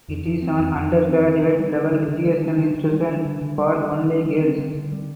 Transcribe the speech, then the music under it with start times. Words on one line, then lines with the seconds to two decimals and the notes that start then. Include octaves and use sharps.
It is an undergraduate level educational institution for only girls.
0.08 F2
0.25 F3
0.42 C4
0.60 F2
0.75 F2
0.93 F3
1.09 C4
1.26 D3
1.43 D3
1.59 G3
1.75 D4
1.92 D3
2.08 D3
2.25 G3
2.42 D4
2.58 D3
2.75 D3
2.91 G3
3.09 D4
3.25 D3
3.41 D3
3.58 G3
3.76 D4
3.92 D3
4.08 D3
4.25 G3
4.41 C4
4.59 D3
4.75 D3
4.92 G3